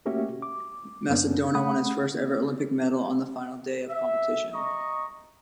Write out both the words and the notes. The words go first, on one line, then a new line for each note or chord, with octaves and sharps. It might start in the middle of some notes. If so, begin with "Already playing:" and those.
Macedonia won its first ever Olympic medal on the final day of competition.
A3 A#3 C#4 F#4 G4 E5
D6
F#2 A#3 B3 C#4 D4
A3 F#5 B5 D#6
A#3
E5
D#5 A#5 C#6